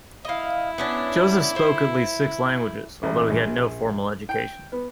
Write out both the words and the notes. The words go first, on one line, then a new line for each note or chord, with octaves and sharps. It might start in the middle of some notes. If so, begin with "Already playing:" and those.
Joseph spoke at least six languages although he had no formal education.
E4 D#5 F5
B3 C#4 D4
C5 E5
A1
A#1
G5
B3